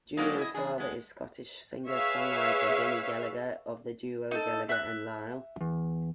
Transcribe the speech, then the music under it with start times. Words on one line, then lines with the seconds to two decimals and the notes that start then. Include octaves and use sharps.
Julian's father is Scottish singer-songwriter Benny Gallagher, of the duo Gallagher and Lyle.
0.17 F#3 G#3 A#3 C4 D#4 D5
0.38 E4 G#4 D#5
0.54 E2 D4 G#4
0.78 G#3 B3
1.90 G#4 B4 C#5 E5 F5
4.31 D#4 A4
4.69 E5 F#6
5.61 E2